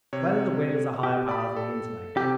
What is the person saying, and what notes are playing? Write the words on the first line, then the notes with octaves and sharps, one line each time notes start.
Whether the Will Is a Higher Power Than the Intellect?
C3 C#5
F#4 G4
D5 B5
A4
C3 G4